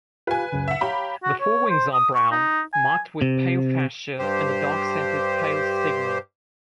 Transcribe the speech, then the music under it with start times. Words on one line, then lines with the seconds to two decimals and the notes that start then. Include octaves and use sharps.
The forewings are brown, marked with pale fascia and a dark-centred pale stigma.
0.27 F4 G4 B4 F5 G#5
0.52 C#2 F#2 C#3
0.68 E5 F#5
0.81 G4 C#5 F5 A#5 B5
1.24 F#4
1.41 C#5
1.70 C5
1.93 D#6
2.14 C#6
2.32 D#4
2.73 G#5
3.21 C3
4.19 G2 G4 C5